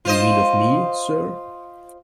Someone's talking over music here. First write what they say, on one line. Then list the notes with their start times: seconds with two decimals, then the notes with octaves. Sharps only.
You mean of me, sir?
0.05 F4 C5 D#5